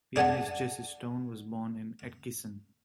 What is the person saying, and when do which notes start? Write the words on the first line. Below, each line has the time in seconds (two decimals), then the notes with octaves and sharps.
Pianist Jesse Stone was born in Atchison.
0.16 D4 G#4 F#5 G#5 A5